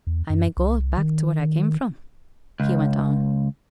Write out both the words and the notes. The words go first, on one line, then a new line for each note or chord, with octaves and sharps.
'I may go back to where I came from,' he went on.
E2
F#2
C2
D#3
C#2